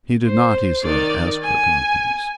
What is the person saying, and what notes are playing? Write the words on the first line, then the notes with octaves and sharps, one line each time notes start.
He did not, he said, ask for confidence.
C5
D#3 D5
G#5